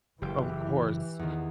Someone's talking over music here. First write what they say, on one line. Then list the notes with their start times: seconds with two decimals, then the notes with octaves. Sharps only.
Of course.
0.22 F#1 E3 G4 G5 D6
1.19 E2 D#3